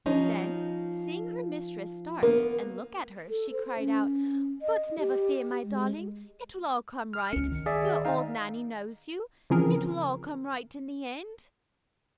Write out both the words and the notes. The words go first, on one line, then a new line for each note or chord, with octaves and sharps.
Then, seeing her mistress start and look at her, she cried out: "But never fear, my darling, it will all come right, your old Nanny knows you, it will all come right in the end."
F3 C#4 D#4
A#3 B3
A4
C5
C#4
D#5
G4
G#3
F6
C#2 C#4 C#7
D#3
G#4 D5 E5
D#4 F5
C#3 E3 F3 C4 G#4 A#4